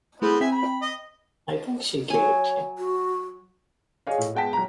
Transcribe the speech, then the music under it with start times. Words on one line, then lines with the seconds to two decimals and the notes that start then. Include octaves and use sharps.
I think she gave it him.
0.22 A3 B3 C4 E4 G#4 B4
0.41 C4 E5 G5 G#5 B6
0.52 B5
0.82 D#5
2.10 F#3 C#5 G#5
2.78 F#4
4.07 G#4 C#5 D#5 F5
4.18 A2
4.35 G#3 B3 G5 A5 B6
4.53 F#3 A#5